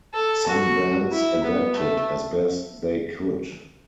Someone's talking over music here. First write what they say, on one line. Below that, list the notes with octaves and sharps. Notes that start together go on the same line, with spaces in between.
Some bands adapted as best they could.
A4
F#4
E4
B3
A3